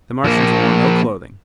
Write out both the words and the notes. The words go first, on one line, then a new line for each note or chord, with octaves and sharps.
The Martians wore no clothing.
F3 A#3